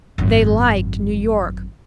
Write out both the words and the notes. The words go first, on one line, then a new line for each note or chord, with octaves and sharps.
They liked New York.
G#1 F#2